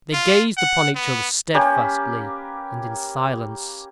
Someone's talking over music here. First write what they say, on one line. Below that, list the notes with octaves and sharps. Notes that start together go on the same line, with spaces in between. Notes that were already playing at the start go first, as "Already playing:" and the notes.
They gazed upon each other steadfastly and in silence.
F4
F#5
B3
A#3 C#4 G4 B4